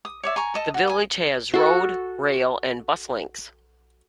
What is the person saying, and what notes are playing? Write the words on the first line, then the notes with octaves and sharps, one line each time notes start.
The village has road, rail and bus links.
D#6
C#5 D5 E5
G#5 A#5 C#6
A4 D#5 A5
F#4
G#5 D#6
F#4 A4